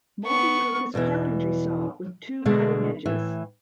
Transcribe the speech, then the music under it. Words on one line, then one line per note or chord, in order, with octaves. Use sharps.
Multi-purpose carpentry saw with two cutting edges.
B3 C#6
E2 B2 D#3 E3
B2 D3 G#3 A3
A2 E3